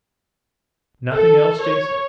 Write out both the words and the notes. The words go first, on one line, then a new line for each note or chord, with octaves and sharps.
"Nothing else, Jason?"
A4
C#5